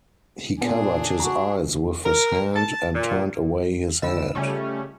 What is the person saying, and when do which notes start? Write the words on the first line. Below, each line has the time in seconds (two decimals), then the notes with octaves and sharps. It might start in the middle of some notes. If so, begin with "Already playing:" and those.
He covered his eyes with his hand and turned away his head.
0.61 A#2 B3 D4 G#4
1.20 F#4 A#5
2.06 A#4
2.56 A5
2.95 A#2
4.02 D3 F4 D#5 E6
4.35 C#3 G3 A3 C#4